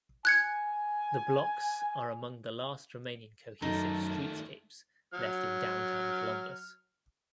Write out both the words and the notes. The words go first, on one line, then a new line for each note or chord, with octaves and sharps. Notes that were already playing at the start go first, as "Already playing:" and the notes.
The blocks are among the last remaining cohesive streetscapes left in downtown Columbus.
G#5 F#6 G#6 C#7
F#2 D#3 A3 D#4 A4
F#3 F6